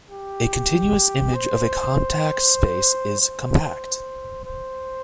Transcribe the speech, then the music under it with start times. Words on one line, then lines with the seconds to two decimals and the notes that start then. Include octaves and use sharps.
A continuous image of a compact space is compact.
0.10 G4
1.34 C5
3.21 C5
4.45 C5